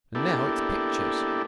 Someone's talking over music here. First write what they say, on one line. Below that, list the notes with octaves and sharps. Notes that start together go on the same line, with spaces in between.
And now it's pictures.
A#3 B3 D4 E4 G4 A4